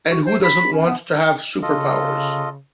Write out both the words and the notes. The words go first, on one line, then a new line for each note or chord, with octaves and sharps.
And who doesn't want to have super powers?
F#4
C5
B5
C#4
B3
C#3 F4 A4 D#5